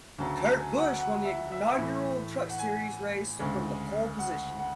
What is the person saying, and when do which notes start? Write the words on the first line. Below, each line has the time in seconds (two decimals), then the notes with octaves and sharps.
Kurt Busch won the inaugural Truck Series race from the pole position.
0.19 D2 C#3 F#3 A5
0.39 A5
0.59 G#5
0.78 F#5
0.99 F#5
1.25 E5
1.52 E5
1.67 E5
1.78 A2 E3 A3
2.50 F#5
2.59 G#5
3.39 D2 C#3 G#3
4.19 F#5
4.59 F#5